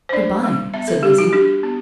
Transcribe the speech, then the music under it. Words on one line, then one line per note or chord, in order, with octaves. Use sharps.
"Good-bye," said Lizzie.
C5
D4 D5
G3
B3 E5
A4
G3 G4
F#4
D4 G4
B3